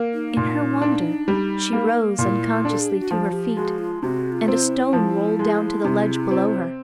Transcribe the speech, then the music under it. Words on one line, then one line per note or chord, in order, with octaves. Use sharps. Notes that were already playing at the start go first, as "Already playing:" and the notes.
In her wonder, she rose unconsciously to her feet and a stone rolled down to the ledge below her.
Already playing: A#3
D#4
A#2
D4
G3
A#3
A#2 E4
D4 A4
G#4
G4
F#4
F3 F4
G4
G#3 F#4
F4
C3 F#4
F4
C4
E4
F3
G#3
C3
C4